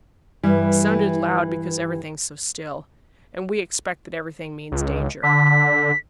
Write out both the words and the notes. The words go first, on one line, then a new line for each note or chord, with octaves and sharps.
It sounded loud because everything's so still, and we expect that everything means danger.
G2 E3 G3
C#2
D3 B6